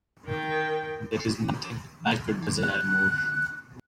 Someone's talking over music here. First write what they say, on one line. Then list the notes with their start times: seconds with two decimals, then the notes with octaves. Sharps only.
There is nothing I could desire more.
0.25 D#3 G5
2.62 F#6